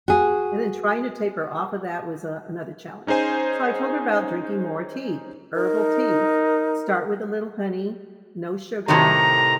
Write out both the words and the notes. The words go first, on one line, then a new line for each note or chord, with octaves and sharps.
And then trying to taper off of that was, uh, another challenge, so I told her about drinking more tea herbal tea. Start with a little honey, no sugar,
F#4 G#4
C#4 D#4 G#4 C5 G#5
D#4 A#4
A2 C3 D#3 A#5